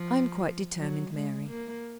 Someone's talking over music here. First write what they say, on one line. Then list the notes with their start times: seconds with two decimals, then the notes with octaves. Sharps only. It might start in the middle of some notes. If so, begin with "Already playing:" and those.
I am quite determined, Mary.
Already playing: F3
0.78 F#3
1.13 G#3
1.49 A#3